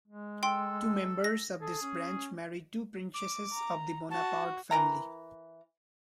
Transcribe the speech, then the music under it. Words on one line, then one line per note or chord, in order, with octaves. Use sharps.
Two members of this branch married two princesses of the Bonaparte family.
G#3
A4 G5 C6
A#6
G#4 A4
C#4
D6
A#5
F#4 A5
E3 A#4 A#5